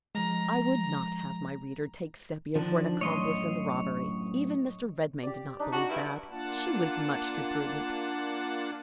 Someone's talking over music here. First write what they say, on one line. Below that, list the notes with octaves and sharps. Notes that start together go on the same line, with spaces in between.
I would not have my reader take Sepia for an accomplice in the robbery. Even Mr. Redmain did not believe that: she was much too prudent!
F3 G#3 A#5
D3 D#3 F3 D4
F#2 A2 C#5 D#5 C6
G4 D5
D4 D#4
F#4 A5
G2 E4
A#3 D4 F4 F#5 A5